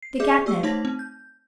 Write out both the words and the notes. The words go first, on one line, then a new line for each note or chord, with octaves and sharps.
The Cat-nip.
C7
G#4 D5 E5 D6 G6
G4 D5 C#6 E6
A3 D#4 C5 C#5 A5 A#6
C4
G6